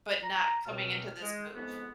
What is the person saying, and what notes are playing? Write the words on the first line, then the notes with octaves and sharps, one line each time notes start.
But not coming into this move.
A#5
C#2 F#2 B2 C4 F6
G#3
F2 G#2 G#3 B3